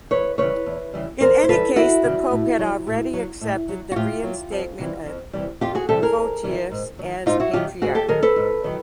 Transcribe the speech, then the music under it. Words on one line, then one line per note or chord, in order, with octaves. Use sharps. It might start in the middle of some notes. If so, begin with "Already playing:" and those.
In any case, the Pope had already accepted the reinstatement of Photius as Patriarch.
E2 B4 C#5
C#3 E3 G3 B4 C#5
E2
C#3 E3 G3
E2 A#4 C5
C5
C#3 E3 G3 A4 B4
E2 E4 F#4
C#3 E3 G3
A2
F#3
A2
F#3
A2
F#3
F#4
A2 F4 G4
F#3
F2
C3 E3 G3
F2
C3 E3 G3
F2 F4 G4
F#4 G#4
C3 E3 G3 G4 A4
G#4 A#4
F2
C3 E3 G3
G#2
F#3
D#3
G#2 D#4 F4
E4 F#4
D#3 F#3 F4 G4
G#2 F#4 G#4
G4 A4
D#3 F#3 G#4 A#4
A4 B4
G#2
D#3 F#3